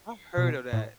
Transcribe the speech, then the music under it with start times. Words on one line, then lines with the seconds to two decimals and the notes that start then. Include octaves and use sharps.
I heard of that
0.37 B2
0.73 A2